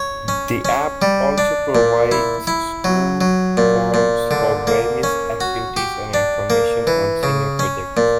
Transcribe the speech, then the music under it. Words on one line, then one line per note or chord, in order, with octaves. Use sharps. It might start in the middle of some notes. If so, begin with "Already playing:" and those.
The app also provides school forms for various activities and information on senior projects.
Already playing: C#5
C#4
C#4
G3
D4
A#2
E4
E4
F#3
F#3
A#2
A#2
D3
A#3
C#4
F#4
G4
D4
A#3
E3
C#3
C#4
A#2